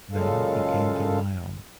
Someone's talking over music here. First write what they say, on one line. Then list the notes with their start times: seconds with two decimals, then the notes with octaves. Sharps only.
Then, he came to Lyon.
0.13 F#2 A#2 C#3 G#3 A4 F5